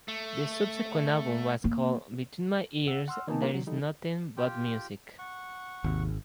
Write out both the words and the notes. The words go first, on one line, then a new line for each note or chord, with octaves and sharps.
The subsequent album was called "Between My Ears There Is Nothing But Music".
A3
A#3
F#5 E6
F#5 C6 E6 F6
D#3 A#3 B3 D#4 G#5 A5
G3 A#3 D4 F4 G#4
D3 F#3
E3 G3 D#4 A4
F4 G4 G5
F#5 C#6
G#1 D#2 C3